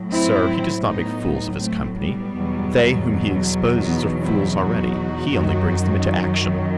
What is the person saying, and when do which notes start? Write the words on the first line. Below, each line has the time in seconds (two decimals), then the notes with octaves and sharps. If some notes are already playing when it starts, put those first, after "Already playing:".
Sir, he does not make fools of his company; they whom he exposes are fools already: he only brings them into action.'
Already playing: A2 F#3
0.12 C4 E4
0.86 B3 D#4
1.60 A3 C4
1.98 G3 B3
2.34 E2 B2 F#3
3.83 B3 D#4
4.20 C4 E4
4.57 D#4 F#4
5.31 F#2 D#3 F#3